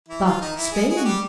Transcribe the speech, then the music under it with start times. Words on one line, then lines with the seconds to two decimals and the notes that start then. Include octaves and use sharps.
But Spain?
0.08 E3 E4
0.24 F3 F4
0.41 D#3 D#4
0.56 E3 E4
0.72 G#3 G#4
0.89 G#3 G#4
0.97 F#4
1.05 G3 G4